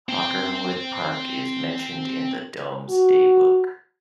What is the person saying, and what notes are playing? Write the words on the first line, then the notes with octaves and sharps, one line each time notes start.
Hockerwood Park is mentioned in the Domesday Book.
C4 G5
F#4